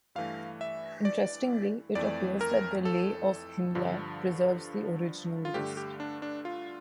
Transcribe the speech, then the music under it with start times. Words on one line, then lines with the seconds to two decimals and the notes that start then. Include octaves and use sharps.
Interestingly, it appears that Lay of Hyndla preserves the original list.
0.15 G2 E3 A3 F5
0.61 E5
1.05 D5
1.95 F2 E3 A3 D5
2.41 A#4
2.85 A4
3.75 G2 D3 F3
5.45 F4
5.54 G2 D3 A3 G4
5.77 G4
6.00 D4
6.22 D4
6.45 F4